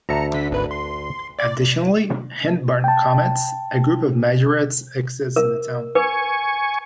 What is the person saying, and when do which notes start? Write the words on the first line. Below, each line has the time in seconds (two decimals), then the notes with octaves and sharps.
Additionally, "Hyndburn Comets", a group of majorettes, exists in the town.
0.09 D2 E5 A5 A#5 C#7
0.34 D3 B6
0.51 G#1 B4
0.71 C6
1.39 D5
2.84 G5 A5
5.36 A#4
5.95 B4 G#5 C#6